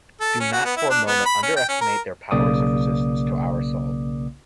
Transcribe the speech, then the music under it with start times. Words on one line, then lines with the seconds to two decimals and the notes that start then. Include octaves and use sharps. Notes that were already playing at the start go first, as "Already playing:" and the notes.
Do not for a moment underestimate their powers of resistance to our assault.
0.21 A4
0.40 C#4
0.52 F#4
0.65 B3
0.77 E4
0.90 D4
1.07 B3
1.26 B5
1.43 C#4
1.57 G5
1.69 C#4
1.81 A#4
2.31 B1 C#3 A#3 D5 D6 D#6